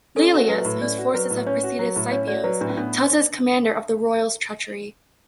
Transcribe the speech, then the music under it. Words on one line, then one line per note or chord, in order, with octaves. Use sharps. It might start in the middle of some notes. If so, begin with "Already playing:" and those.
Lelius, whose forces have preceded Scipio's, tells his commander of the royals' treachery.
C#4 A4
F#4
F#3 B4
A2
C#4 D5
F#4
F#3 B4
A2
C#4 C#5
F#4
F#3
A2
C#4 C#5
F#4 D5
F#3 B4
A2 D4
C#4
B3 D4